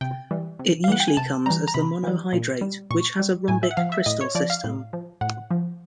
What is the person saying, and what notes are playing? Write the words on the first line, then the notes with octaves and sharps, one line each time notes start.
It usually comes as the monohydrate, which has a rhombic crystal system.
C3 G5
E3 G3
C3
F5
E3 G3 F#5
G5
G#5
C3 A5
E3 G3 A#5
A#5
C3 B5
E3 G3
A#2
G3
A#2 C#6
G3
A2 G#5
E5
F#5
F3 F5
E5
A2 D#5
C#5
F3 D5
F5
A2
F3
A2 F#5
F3